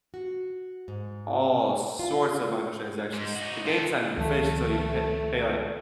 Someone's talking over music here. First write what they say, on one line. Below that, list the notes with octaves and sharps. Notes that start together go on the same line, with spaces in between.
all sorts of microtransactions. The game's not even finished until you pay pay, like
F#4
G#2
F4
G#2
D#4 F#4
F4 A4
C#2 D#3 F3 A3